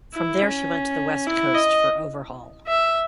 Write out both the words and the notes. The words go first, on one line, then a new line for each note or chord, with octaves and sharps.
From there, she went to the West Coast for overhaul.
E4
C#4
E4
D#5
E5